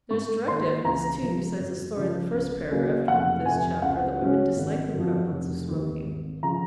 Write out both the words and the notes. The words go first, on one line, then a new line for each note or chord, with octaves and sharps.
There is direct evidence, too, besides the story in the first paragraph of this chapter, that women disliked the prevalence of smoking.
G#2 C#6
D#3 A#3 C6
C#2 A#5
C3 F3
F#2
C#3 F3
C#2
C#3 F#3 A#3
F1 F#5
F2 C3 G#5
C#2 F#5
C#3 F#3 C#4
G#1
F#2 F3
F1
D#2 D#3
G#1
C#3 F3 A#5